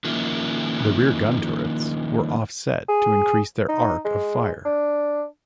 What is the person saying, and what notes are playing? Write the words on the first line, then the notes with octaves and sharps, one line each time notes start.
The rear gun turrets were offset to increase their arc of fire.
D#3 F3 A#3 C#4 E4
G#4
D#4
G#3
D4